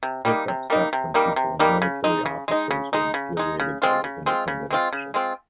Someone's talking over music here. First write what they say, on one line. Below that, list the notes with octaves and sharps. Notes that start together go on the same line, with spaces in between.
This upset some people and military officers were infuriated by his independent actions.
C3
G3 A#3 D#4
C3
G3 A#3 D#4
C3
G3 A#3 D#4
C3
G3 A#3 D#4
C#3
G#3 D#4
C#3
G#3 D#4
C#3
G#3 D#4
C#3
G#3 D#4
C#3
G#3 C4 F4
C#3
G#3 C4 F4
C#3
G#3 C4 F4
C#3
G#3 C4 F4